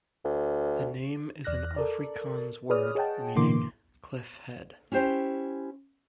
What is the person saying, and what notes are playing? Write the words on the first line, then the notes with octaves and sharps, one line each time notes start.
The name is an Afrikaans word meaning cliff head.
D2
E2 D5 F6 F#6 A#6
A4 A#4 D5
G#4 B4 C#5 D5 D#6 F6
G#4 C#5 D#5 F#5 G5 A5
B2 D3 E3 A#3 C6 D6
C#4 E4 G4 C5 G5